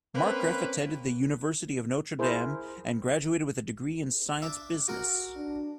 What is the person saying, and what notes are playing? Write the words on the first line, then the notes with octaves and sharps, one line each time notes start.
Markgraf attended the University of Notre Dame and graduated with a degree in Science-Business.
A#3 C4 C#4 B4
E4 G#4 A#4 C5
D4 E5
F#4 A#4
D4